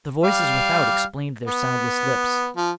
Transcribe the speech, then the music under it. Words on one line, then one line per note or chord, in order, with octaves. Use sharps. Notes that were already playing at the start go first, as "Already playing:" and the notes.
The voices without explained their soundless lips.
G3 F5
B3
F3